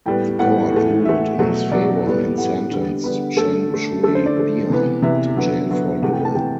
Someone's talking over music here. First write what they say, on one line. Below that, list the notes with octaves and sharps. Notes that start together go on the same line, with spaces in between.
The court ruled in his favor and sentenced Chen Shui-bian to jail for libel.
A2 G3 B3 G5
A2 G3 B3 F#5
A2 E3 A3
A2 E3 A3 E5
B2 F#3 A3
B2 F#3 A3 D5
A2 G3 B3
A2 G3 B3 F#5
D3 G3 B3
D3 G3 B3 B4
D3 A3 A4
D3 A3
D3 A3 A4
C5
D5
D3 A3
C3 E3 B3
C3 E3 B3 E5
D3 F#3 B3
D3 F#3 B3
C3 E3 A3 F#5
G5
A5
C3 E3 A3 G5